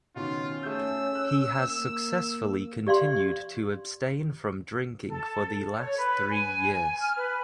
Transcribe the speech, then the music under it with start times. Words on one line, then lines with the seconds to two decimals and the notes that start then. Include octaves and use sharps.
He has successfully continued to abstain from drinking for the last three years.
0.16 B2 D#3 C#4 F4
0.63 A3 G#4 E6 G6
1.15 F#6
1.60 A#3
2.87 G4 D5 F5 C6
5.08 A4
5.77 C#5
5.97 B4
6.30 G#5
7.01 F6
7.17 B4